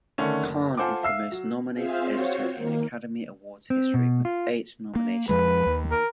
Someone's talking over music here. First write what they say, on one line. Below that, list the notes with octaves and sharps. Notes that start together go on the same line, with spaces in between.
Kahn is the most-nominated editor in Academy Awards history with eight nominations.
D3 D#3 A3 C#4
F#1
F4 A4 C5 F#5 G#5 D6
E5 F5 E6 F6 C7
F#3
C4 F4 G#4 C5 E5 F5
C4 F4 F#4 C5 C#5
D#3 A#3
C4
B2
F4
A#3
F2 F3 G#3 B4
D#2
A#4